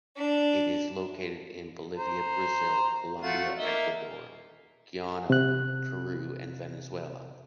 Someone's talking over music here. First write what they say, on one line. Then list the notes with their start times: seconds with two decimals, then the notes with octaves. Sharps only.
It is located in Bolivia, Brazil, Colombia, Ecuador, Guyana, Peru, and Venezuela.
0.18 D4
1.95 C5 A#5
3.21 A3 F4 F#4
3.58 A#3 D#4 E5
5.30 C3 F#6